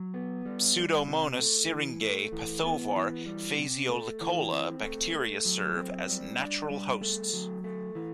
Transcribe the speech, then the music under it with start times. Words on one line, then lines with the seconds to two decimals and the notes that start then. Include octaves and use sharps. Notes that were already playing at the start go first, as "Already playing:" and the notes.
Pseudomonas syringae pathovar "phaseolicola" bacteria serve as natural hosts.
Already playing: F#3
0.14 B3
0.46 G3
0.76 G3
1.07 C3
1.39 A3
1.70 E3
2.01 A3
2.32 E3
2.63 B3
2.96 E3
3.26 G3
3.58 C3
3.88 A3
4.21 E3
4.52 C4
4.82 A3
5.14 A3
5.45 F#3
5.76 C4
6.08 G3
6.39 D4
6.70 G3
7.01 A3
7.33 F#3
7.64 A3
7.95 E3